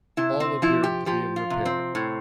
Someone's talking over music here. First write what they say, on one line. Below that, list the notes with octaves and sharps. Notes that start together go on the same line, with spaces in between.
All appeared to be in repair.
C3 E4
C4
F3 E4
G4
F3 G4
F4
C3
C4
A2